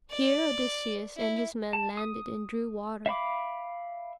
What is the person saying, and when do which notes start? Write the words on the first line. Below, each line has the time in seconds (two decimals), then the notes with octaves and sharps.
Here Odysseus and his men landed and drew water.
0.11 D5
1.17 E4
1.73 A5
1.97 D#6
3.06 E5 F5 B5 D6